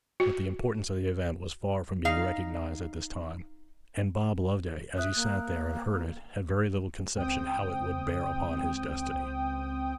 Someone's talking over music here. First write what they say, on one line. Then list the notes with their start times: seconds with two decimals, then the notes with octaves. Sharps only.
But the importance of the event was far from being recognized at this time; and Bob Loveday, as he sat there and heard it, had very little conception how it would bear upon his destiny.
0.20 F#4
2.05 D#4 F5
4.98 E5 D#6 F#6
5.15 A#3
7.16 C#2 C4 G5 D#6